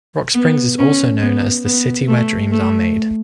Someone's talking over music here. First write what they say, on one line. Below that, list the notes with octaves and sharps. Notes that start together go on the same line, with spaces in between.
Rock Springs is also known as the "City Where Dreams are Made".
B3
C#4
B3
B3
A3
A3